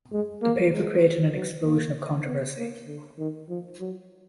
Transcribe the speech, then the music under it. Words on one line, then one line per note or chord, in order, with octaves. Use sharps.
The paper created an explosion of controversy.
G#3
A#3
G#3
F#3
A#3
B3
A#3
D3
D#3
F3
F#3